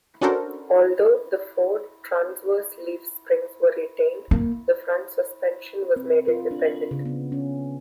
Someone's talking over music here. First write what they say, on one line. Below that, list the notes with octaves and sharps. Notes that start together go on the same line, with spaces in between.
Although the Ford transverse leaf springs were retained, the front suspension was made independent.
C#4 D4 F#4 A4 A#4 C5
A#3
C4
F4
D4
C#3
B3
C#4